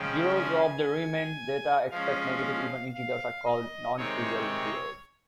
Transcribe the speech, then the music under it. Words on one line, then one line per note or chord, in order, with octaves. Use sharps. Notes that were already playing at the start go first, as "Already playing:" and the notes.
Zeros of the Riemann zeta except negative even integers are called "nontrivial zeros".
Already playing: C#3 F3 G#3 C#4 G5
G#5
F3 G#3 C#4 F5
F5
D#5
C3 D#3 G#3 C4 C#5